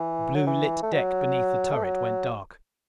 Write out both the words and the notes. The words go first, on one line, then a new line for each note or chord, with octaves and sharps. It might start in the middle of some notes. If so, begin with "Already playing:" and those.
The blue lit deck beneath the turret went dark.
Already playing: E3
F#3
E3
A3
F#3
A3
F#3